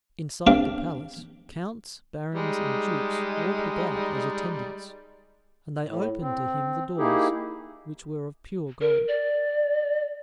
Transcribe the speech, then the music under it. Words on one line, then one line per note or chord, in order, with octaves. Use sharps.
Inside the palace, counts, barons, and dukes walked about as attendants, and they opened to him the doors, which were of pure gold.
C4 D4 G4 F5 G5
G3 G#3 D#4
A2
C4
A#3 D#4 E4 G4 G#4
A#4
D5